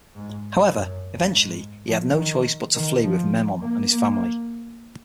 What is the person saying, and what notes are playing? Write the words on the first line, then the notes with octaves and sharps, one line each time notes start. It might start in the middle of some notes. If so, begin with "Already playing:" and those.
However, eventually, he had no choice but to flee with Memnon and his family.
G#2
F#2
G#2
F3
D#3
D#3
F3
A#3
A#3